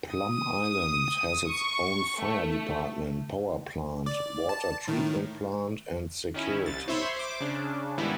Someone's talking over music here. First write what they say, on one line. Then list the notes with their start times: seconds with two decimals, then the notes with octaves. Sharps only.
Plum Island has its own fire department, power plant, water treatment plant and security.
0.14 D#6
1.54 C#6
2.22 A3
4.06 D5
4.49 A5
4.88 A2 D#3
6.34 D#3 C#4 E4
6.66 C2 A6
6.88 C5 C#5 E5 B5 C6
7.16 C5 D6
7.40 C#3 D4
7.98 G#2 D#3 G3 B3 E4